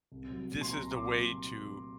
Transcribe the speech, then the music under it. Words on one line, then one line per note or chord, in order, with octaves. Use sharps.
Eh, this is the way to
C2
F#3
A#2
C6
C2 A#5
C2 D6
F#3 C6